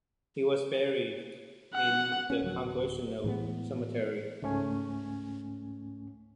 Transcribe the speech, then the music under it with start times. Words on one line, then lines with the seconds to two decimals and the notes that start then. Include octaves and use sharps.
He was buried in the Congressional Cemetery.
1.75 F#5
2.30 C#4
2.42 D1 F#3
3.24 A2 E3 G#3 B3
4.42 C#2 G#2 A3 C#4 G#5